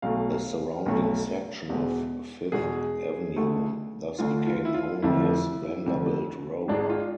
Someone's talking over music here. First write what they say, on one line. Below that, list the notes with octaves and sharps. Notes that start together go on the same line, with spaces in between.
The surrounding section of Fifth Avenue thus became known as "Vanderbilt Row".
B1 B2 A3 F5
B1 B2 A3
E2 B2 G#3
E2 B2 G#3 G#4
D2 D3 A3
D2 D3 A3 F4
F4
E4
F4
F1 F2 D3 F3 E4
F1 F2 D3 F3
G#1 G#2 G#3 D4
F4